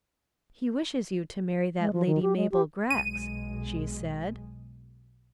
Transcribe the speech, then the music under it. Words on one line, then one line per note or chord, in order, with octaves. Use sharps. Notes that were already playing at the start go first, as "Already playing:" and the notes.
"He wishes you to marry that Lady Mabel Grex," she said.
G#3
F3
D#3
G4
G#3
G4
B1 G#3 D#7